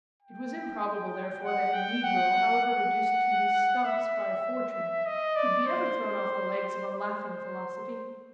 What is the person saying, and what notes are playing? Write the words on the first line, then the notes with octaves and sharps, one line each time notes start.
It was improbable, therefore, that a negro, however reduced to his stumps by fortune, could be ever thrown off the legs of a laughing philosophy.
G5
F#5
G5
F#5
F#5
E5
D#5
D5
C5
C5